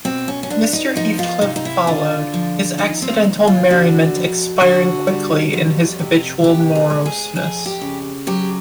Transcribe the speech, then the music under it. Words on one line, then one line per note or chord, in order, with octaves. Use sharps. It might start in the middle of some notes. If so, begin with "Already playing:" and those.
Mr. Heathcliff followed, his accidental merriment expiring quickly in his habitual moroseness.
B2 C4
C#4
C#4
B2 D4
D#4
F3 D#4
F4
C3 D#4
D#4
E4
D3 F4
F3
D#2 D#4
C4
D#2
F4
D3 F#4
F2
D3 F#4
G3
F2
C3
B3 G4
G#4
G#3
G#4
F2 G#4
G4
C#3
F#3 G4